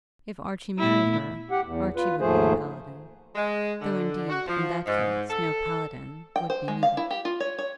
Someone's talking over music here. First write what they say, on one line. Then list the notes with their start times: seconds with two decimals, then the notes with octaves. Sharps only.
If Archie married her, Archie would be the paladin; though, indeed, in that case, no paladin would be needed.
0.79 A#2 A3 B3 E4
1.51 G4 F#5
1.64 E2
1.96 F4 B4
2.20 D#2 G#2 F3 A3 G#4 C5
3.35 G#3
3.82 D3
4.30 F#4
4.48 F3
4.86 G#2
5.30 A4
6.36 G5
6.50 C5
6.68 G#3
6.83 F5
6.97 E4
7.11 G4
7.25 F4
7.40 C#5
7.58 C#5